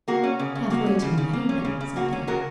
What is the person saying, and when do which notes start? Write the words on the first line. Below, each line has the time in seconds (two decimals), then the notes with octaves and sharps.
'Half-way to Newhaven,'said Dan.
0.08 A#3 F#4 A#4
0.23 C#4
0.39 C#3
0.55 C#3
0.70 A#3 F#4
0.86 C#4
1.02 C#3
1.18 C#3
1.33 A#3
1.49 C#4
1.65 C#3
1.81 C#3
1.96 A#3 F#4
2.13 C#4
2.27 C#3 F#4 A#4